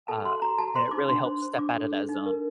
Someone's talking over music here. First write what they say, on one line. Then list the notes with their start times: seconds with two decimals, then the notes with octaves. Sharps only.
Uh, and it really helps step out of that zone.
0.08 A4 A5
0.25 F#4 C6
0.42 F#4 A#5
0.58 F#4 A5
0.75 C5 C6
0.91 D#4 D6
1.09 D4 C6
1.25 C5
1.42 C5
1.58 D4 D6
1.76 A4
1.92 D4
2.09 D#4
2.26 A#4